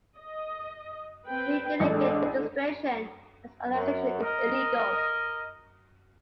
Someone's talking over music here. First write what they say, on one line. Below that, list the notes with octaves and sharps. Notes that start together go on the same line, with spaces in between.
But he didn't get a registration and his organization is illegal.
D#5
C4 B4 G5
A1 D3 G#3 D4
F#2
A#4 D#5